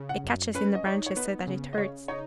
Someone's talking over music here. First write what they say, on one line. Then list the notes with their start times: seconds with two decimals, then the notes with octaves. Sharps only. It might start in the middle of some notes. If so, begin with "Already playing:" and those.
"It catches in the branches so that it hurts."
Already playing: C#3
0.09 F#5
0.24 F#2
0.55 C#4 B4
0.75 D#5
0.86 D#4 C#5
1.07 C#5
1.16 B3 B4
1.47 C#3
1.73 D#5
1.77 C#3 C#5
2.08 D#4 C#5